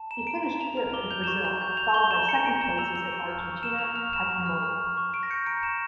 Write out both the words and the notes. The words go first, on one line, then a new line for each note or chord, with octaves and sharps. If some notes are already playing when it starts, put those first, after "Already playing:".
He finished fifth at Brazil, followed by second places at Argentina at Imola.
Already playing: A5
A#5 E7
A#5 D7
A#5 E7
A#5 F7
F6 F7
D6 G7
G6 F7
E7
C#6 F7
G6 F7
G6
G6 F7
G6 G7
A#5 E7
A#5 C#7
A#5 D7
A#5 E7
E6 F7
E6 F7
C#6
F6
C#6
F6 E7
C#6 F7
F6 F7
C#6 E7
C#6
F6
F6
C#6
C#6
C#6 D7
A#6
G6 C#7
A#5 D7
C#6 E7